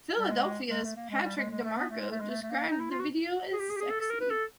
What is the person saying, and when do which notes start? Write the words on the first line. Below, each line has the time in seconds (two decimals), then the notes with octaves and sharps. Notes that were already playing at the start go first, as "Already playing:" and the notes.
"Philadelphia"'s Patrick DeMarco described the video as "sexy".
0.19 G3
0.30 G#3
0.70 G#3
0.84 A3
0.96 A#3
1.10 G#3
1.24 G3
1.37 G#3
1.50 G#3
1.63 A3
1.77 B3
1.90 A3
2.00 G#3
2.11 A3
2.20 G#3
2.30 A3
2.42 A3
2.51 A#3
2.71 D#4
2.80 E4
2.90 F4
2.99 F#4
3.53 G#4
3.60 G4
3.70 G#4
3.76 G4
3.81 G#4
3.90 A4
4.00 A4
4.10 A#4
4.21 B4
4.30 A4